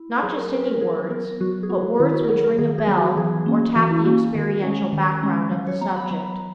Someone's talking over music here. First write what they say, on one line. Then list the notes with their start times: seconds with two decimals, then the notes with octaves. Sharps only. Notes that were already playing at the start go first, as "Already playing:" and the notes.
Not just any words, but words which "ring a bell" or tap the experiential background of the subject.
Already playing: E4
0.23 F#3 G#4
0.37 A#4
0.52 C#4 B4
0.67 A#4
0.81 F#3 G#4
1.10 B3 A#4
1.41 F#3 F#4
1.63 G#4
1.69 B3 F#4
2.00 D#3 E4
2.13 F#4
2.24 A#4
2.28 F#3 B3 G#4
2.44 A#4
2.58 D#3 G#4
2.78 G#4
2.87 F#3 B3
2.97 F#4
3.17 E3 G#4
3.46 A#3 C#4
3.76 E3 F#4
3.91 E4
4.05 A#3 C#4 F#4
4.34 D#3 G#4
4.64 G#3 C#4
4.93 D#3
5.23 G#3 C#4
5.51 F#3
5.67 C#5
5.81 B3 A#5
5.96 B5
6.11 F#3 A#5